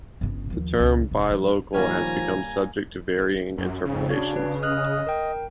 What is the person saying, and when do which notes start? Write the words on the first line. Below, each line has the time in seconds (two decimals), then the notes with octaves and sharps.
The term "Buy Local" has become subject to varying interpretations.
0.21 G1 C#3
0.50 D#2 F3
0.80 C#2
1.11 E1
1.30 F3
1.74 A#2 D#3 F3 G3 C#4 G#5 A#5
3.58 F#2
3.85 F2 G#2 C#3
4.10 D4 F#4 C#5
4.36 B4
4.62 D#5 D#6 F6 F#6
5.07 A#4 G5